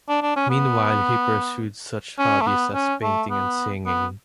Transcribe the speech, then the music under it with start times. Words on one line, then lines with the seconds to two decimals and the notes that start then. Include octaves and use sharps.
Meanwhile, he pursued such hobbies as painting and singing.
0.09 D4
0.22 D4
0.36 C#4
0.50 B3
2.19 C#4
2.41 A3
2.47 B3
2.74 C#4
3.03 A3
3.30 B3
3.86 B3